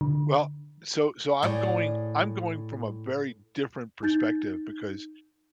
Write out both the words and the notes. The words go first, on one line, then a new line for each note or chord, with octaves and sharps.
Well, so so I'm going I'm going from a very different perspective because,
D3
A2 G#4 D5
D#4 G6 A6